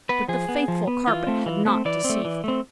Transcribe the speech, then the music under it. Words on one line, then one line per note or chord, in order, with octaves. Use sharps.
But the faithful carpet had not deceived them.
B3 B4
F3 G#4
B3
F3
B3
E3 F4
A3 C4
E3
A3 C4
E3 D5
C4
A3
E3
A3 C4